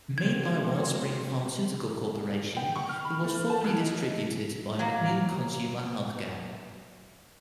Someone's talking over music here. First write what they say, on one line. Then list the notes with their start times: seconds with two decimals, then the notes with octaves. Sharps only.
Made by WellSpring Pharmaceutical Corporation, it was formerly distributed by McNeil Consumer Healthcare.
0.18 G#3 A#3 C4 F#4 G#6
2.57 G5
2.76 C#6
2.89 F6
3.05 B5
3.24 A3
3.50 A5
3.64 E3
3.80 D#4
3.94 F#3
4.79 F#3 A#3